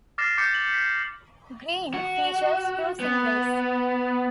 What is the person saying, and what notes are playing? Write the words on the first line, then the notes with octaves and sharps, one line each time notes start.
"Green" features two singles.
D6 F6 A6 A#6 C7 E7
D6 G6 A6 B6 C#7
F#7
B6
F#4
B3